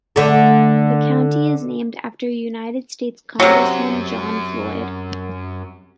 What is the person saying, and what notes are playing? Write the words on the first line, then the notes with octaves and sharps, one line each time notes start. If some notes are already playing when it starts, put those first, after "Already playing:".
The county is named after United States Congressman John Floyd.
D3 A3
F#2 C3 F#3